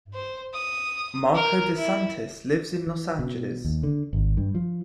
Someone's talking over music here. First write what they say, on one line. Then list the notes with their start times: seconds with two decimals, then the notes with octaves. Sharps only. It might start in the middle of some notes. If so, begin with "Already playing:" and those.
Marko DeSantis lives in Los Angeles.
0.14 C5
0.54 D#6
1.35 A#4
1.77 E4
2.87 E3
3.19 B2
3.65 D#2
3.83 D3
4.13 G#1
4.37 G2
4.55 F3